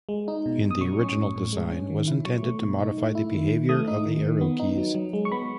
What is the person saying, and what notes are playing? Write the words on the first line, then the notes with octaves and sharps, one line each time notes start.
In the original design, was intended to modify the behavior of the arrow keys.
G#3
D#4
B2
B2
D#6
F#3 C#6
C#4
A2
A2
G#3
C#4
D#3
E4
F#3 C#6
A3
B2
D#4
A3
E4
D#3
D#3
A3 D#6
D#4
D#3
D#3
B3
D#4
F#3
F#3
G#3
C#6
B3 B5